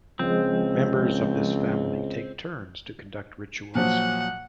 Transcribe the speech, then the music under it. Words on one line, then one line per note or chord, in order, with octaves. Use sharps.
Members of this family take turns to conduct rituals.
C#2 F3 G#3 C4
A#2 F3 F#3 F#5